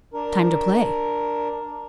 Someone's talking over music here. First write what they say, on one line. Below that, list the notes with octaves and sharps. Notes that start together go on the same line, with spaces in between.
"Time to play."
D4 A#4